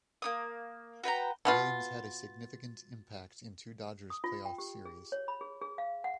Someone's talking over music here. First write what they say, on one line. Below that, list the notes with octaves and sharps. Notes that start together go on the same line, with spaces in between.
Williams had a significant impact in two Dodgers playoff series.
A#3 D#4 D#6
F#4 B4 G5 A#5
B2 B3 F4
D#6
F4
G5
G4
G#4
C#5
B5
G#4
G#4
F5
F#5